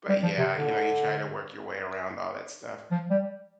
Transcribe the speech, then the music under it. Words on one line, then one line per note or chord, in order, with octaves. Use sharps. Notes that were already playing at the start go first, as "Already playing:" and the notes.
but yeah, you know, you try to work your way around all that stuff,
G3
F3
C3
D3
F3
G3